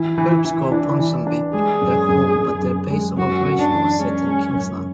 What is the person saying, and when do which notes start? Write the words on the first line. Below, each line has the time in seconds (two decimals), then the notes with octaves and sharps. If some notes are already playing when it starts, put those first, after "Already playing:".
Herbs call Ponsonby their home, but their base of operations was set in Kingsland.
Already playing: E3 E4
0.18 E3
0.45 E3
0.72 D4
0.99 E3
1.27 D4
1.54 G#3 G#4
1.81 F#2
2.08 F#2
2.36 F#2
2.63 F#2
2.90 G#3
3.17 F#2 F#4
3.44 F#2
3.58 D4
3.72 E3
3.99 G#3 C#4
4.27 G#3
4.53 F#2